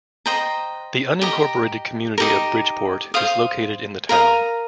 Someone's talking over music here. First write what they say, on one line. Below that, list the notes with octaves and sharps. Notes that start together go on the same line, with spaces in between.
The unincorporated community of Bridgeport is located in the town.
C5 D#5 G5 A#5
G4 D#5 A#5
D#4 G4 A#4
C5 F5 D#6
A#4 F5 A#5 D#6